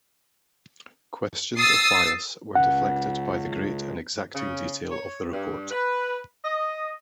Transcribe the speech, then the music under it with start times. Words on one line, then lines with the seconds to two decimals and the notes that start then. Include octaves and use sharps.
Questions of bias were deflected by the great and exacting detail of the report.
1.58 D#6 E6 A6 C7
2.55 C#2 F#5
4.35 C#3
4.90 C#5
5.32 G2
5.71 B4
6.44 D#5